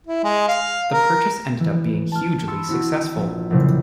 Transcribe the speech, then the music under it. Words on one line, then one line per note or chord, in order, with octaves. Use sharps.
The purchase ended up being hugely successful.
E4
G#3
F5
A#4
E3
A5 F6
B5 C6 E6 A6 C#7
C4 E4 F#4
A#1
F1 A#2 C#3 F#3 E4 C5